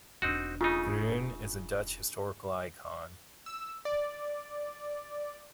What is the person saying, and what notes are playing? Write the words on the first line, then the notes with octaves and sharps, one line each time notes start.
Groen is a Dutch historical icon.
E1 C4 D4 D#4 F#4
C#3 A3 D#4 F4
E6
D5